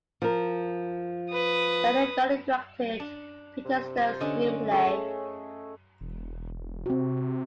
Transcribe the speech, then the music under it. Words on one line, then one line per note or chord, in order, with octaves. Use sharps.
Stanley Donen directed Peter Stone's screenplay.
F3 A#4
B4 D#6
D4
C3
F4 C5
D3 C#4 D4 D#5
A3 C#4 G#4 C#5
E1
C3 C4 F#4